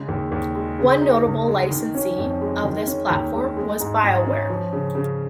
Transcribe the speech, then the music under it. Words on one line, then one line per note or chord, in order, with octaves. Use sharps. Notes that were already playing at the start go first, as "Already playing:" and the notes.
One notable licensee of this platform was BioWare.
Already playing: C#3 G#3
D#2
D#2
G#3
C#3
D#4
C#2
G#3
D#3
C#4
F2
G#3
D#3
C#4
D#2
G#3
G#3
G#2
G#2
C#4
F3
C#3
C#3